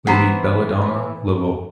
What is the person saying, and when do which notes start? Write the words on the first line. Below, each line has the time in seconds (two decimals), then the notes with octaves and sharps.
Lady Belladonna Laveau.
0.07 E3 B3 B4 C5 F#5 A#5